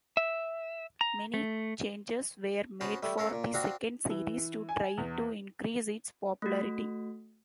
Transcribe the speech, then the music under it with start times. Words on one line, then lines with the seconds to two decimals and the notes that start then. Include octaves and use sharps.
Many changes were made for the second series to try to increase its popularity.
0.17 E5
1.01 A#5
1.34 A3
2.81 B3 C#4 F#4 C5 A5
3.03 G3 A3
3.18 C#4 A4 A#4 F5
3.33 A#2
3.54 C4 D4 F#4 F5 A#5
4.10 E3
4.69 G#5
4.97 E2
6.42 A3 F#4